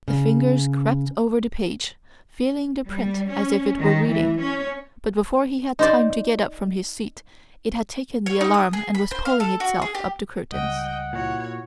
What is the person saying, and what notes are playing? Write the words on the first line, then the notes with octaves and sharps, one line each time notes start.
The fingers crept over the page, feeling the print as if it were reading; but before he had time to get up from his seat, it had taken the alarm and was pulling itself up the curtains.
C#3
G3
C#4
D#3
E3
C#4
D#4 C5 D5
C#5
D#4
D#6
G#4
B5
C5
F5
A4
F#4
G#4
G4
C#2 C#3 G3 D#5 F#5 G5
A#2 E4 F#4 C#5